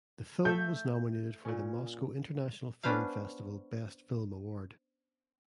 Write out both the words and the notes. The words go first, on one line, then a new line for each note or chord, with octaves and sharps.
The film was nominated for the Moscow International Film Festival best film award.
A3 A4 E5 G6
A#2 C#4
B3 C#4 D4 B4 C5 F5